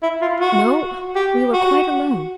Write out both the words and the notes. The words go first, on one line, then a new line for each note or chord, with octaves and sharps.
"No; we were quite alone."
E4
F4
F#4
G4
F#4